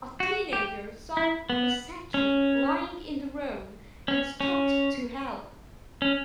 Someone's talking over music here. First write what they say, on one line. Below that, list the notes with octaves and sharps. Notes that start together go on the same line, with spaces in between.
A teenager saw Pocceschi lying in the road and stopped to help.
F#4
G4
E4
B3
C#4
C#4
C#4
C#4